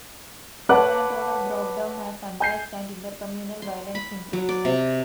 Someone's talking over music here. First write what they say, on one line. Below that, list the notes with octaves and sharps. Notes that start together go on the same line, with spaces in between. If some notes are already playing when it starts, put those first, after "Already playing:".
Law and order broke down as unrest and inter-communal violence increased.
B4 C#5 F#5 A5 D6 F#6
G#5 G6 C7
C6
B5
F#3
D5
C3